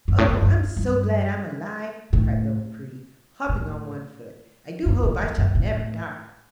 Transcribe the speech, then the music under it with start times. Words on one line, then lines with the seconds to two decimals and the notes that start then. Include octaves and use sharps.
"O, I'm so glad I'm alive!" cried little Prudy, hoping on one foot; "I do hope I shall never die!"
0.08 G2
0.18 A2
0.28 G2
0.42 G2
0.77 G2
2.13 A2
3.49 A2
4.86 G2
5.03 A2
5.20 F#2
5.38 G2
5.55 A2